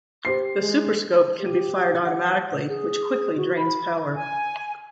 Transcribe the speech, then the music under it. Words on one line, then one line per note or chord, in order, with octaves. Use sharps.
The Super Scope can be fired automatically, which quickly drains power.
G4 C5 C7
G#3
G4
F#5
G#4
F#4
B5
G#5